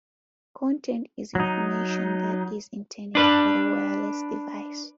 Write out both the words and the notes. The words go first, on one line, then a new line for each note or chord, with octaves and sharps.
Content is information that is intended for the wireless device.
F#3 D#4
D4 B4